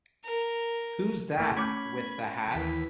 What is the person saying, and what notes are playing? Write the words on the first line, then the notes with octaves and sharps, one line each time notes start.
Who's that with the hat?
A#4
A3 A#3 E4
A3 C#4 B5 D6 G6 G#6
D#2 E3 B6